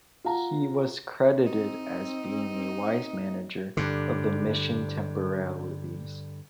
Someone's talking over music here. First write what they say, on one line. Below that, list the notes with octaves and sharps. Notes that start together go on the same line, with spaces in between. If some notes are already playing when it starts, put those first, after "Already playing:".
He was credited as being a wise manager of the mission temporalities.
F4 F#5 A#5
C4 D#4
G2 D3